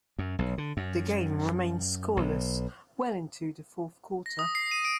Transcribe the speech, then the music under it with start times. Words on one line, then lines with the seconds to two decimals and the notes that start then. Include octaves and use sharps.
The game remained scoreless well into the fourth quarter.
0.19 F#2
0.39 B1
0.58 D3
0.77 F#2
2.17 B1
4.26 A#6
4.39 D#6
4.55 C7
4.71 D#7
4.85 D7